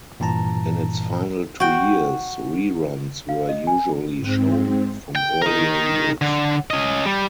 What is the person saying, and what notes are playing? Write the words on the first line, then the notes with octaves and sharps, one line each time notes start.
In its final two years, reruns were usually shown from earlier years.
G2 A#2 E3 A5 A#5
F#4 G5
F5
D#5
G#5
G#2 C4
G5
D#4 A#4
D3
C#4 D#5
G3